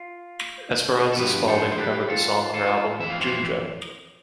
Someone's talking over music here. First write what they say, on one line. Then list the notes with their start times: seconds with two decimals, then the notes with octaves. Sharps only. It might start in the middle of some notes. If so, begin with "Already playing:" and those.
Esperanza Spalding covered the song on her album "Junjo".
Already playing: F4
1.12 A4
1.17 G2 F3 G4 B4
1.48 A4 C5
1.72 C5
1.78 G4 B4
2.08 F4 A4
2.54 F4 A4
3.00 F2 E3 E5
3.10 F5
3.21 C5 E5